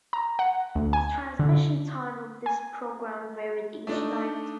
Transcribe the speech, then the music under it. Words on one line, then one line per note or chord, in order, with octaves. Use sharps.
The transmission time of this programme varied each night.
A#5
F#5
D2
G#5
D3
G#5
A3 D4 D#4